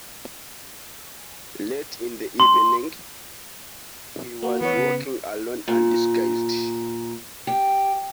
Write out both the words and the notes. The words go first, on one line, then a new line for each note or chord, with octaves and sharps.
Late in the evening, he was walking alone and disguised.
C6
A#3 F#4
E3 B3 C#5
C#3
A#2
G4